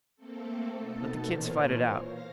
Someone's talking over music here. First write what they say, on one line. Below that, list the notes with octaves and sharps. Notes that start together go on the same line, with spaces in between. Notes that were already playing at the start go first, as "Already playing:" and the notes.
"Let the kids fight it out."
A3 A#3 C4 A4
B2 B3 D#4 A4 A5 A6
A#2 E3 A#4 C5 C#5 F6
F5 A#6